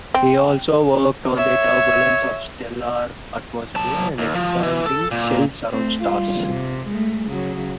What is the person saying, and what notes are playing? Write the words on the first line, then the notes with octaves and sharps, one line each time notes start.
He also worked on the turbulence of stellar atmosphere and expanding shells around stars.
C4
C#5 E5
F#3 A5
D#2
F3
E3
A4
A#2
A3 C4
G3 F4
C3
G#3 A3
C#3 F#3